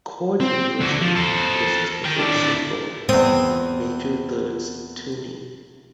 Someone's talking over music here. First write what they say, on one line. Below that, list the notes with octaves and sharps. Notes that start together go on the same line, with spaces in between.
Chord inversion is especially simple in major-thirds tuning.
C4
D3 F#4
F3
A4 C5
A#4 G5
D4 E4
E2 C4 D#6